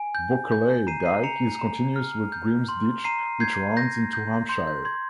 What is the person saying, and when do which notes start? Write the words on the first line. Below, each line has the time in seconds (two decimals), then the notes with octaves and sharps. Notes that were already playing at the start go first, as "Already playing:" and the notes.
Bokerley Dyke is continuous with Grim's Ditch which runs into Hampshire.
Already playing: G#5
0.15 G6
0.52 G6
0.87 A#5 C7 D#7
1.05 C7 D#7
1.23 A#5 C#7 F7
1.59 A#5
1.96 F6
2.32 G6
2.68 C6
3.04 A#5 C7 D#7
3.40 G6 G#6 C7
3.77 G6 A#6
4.13 G6
4.49 C6 G6
4.67 G6
4.85 C6 G#6